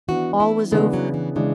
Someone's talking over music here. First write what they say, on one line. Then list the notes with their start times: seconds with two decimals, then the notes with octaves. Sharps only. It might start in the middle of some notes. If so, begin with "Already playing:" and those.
All was over.
0.08 E3 B3 D4 F#4
0.40 E4
0.71 C#3 E3 G#3 B3 D4
0.93 F#3
1.14 E3
1.36 C#3 E3 G#3 D4